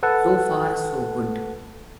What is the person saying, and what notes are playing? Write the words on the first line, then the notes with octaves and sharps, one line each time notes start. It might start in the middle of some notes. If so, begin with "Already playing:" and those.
So far so good.
A4 B4 F#5 A5